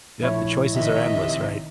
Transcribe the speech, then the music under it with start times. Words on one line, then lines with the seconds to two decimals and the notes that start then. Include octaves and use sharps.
Yep. The choices are endless, right?
0.22 A#1 A3 E4 C#5
0.75 C3 D#3 D#5 E5 B5 C#6